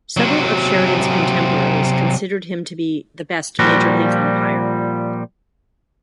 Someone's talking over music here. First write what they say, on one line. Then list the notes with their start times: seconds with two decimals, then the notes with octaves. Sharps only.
Several of Sheridan's contemporaries considered him to be the best major league umpire.
0.17 C3 F#3
3.59 A#2 F3 G3 F#4